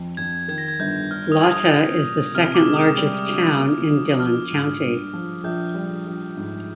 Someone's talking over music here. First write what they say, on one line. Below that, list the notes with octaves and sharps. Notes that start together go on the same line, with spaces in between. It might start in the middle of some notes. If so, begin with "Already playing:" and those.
Latta is the second largest town in Dillon County.
Already playing: F2
F2 G#6
D#3 G#6
A#6
G#6
G1 G6
D4 F6
D#6
G4
D#6
G3
A#2
C3 F6
D6
G#3
D#6
G3
D2
A#3
F3
A#1 F6
G#2
G2
F3
A#1 G6
G3
A#1
G#2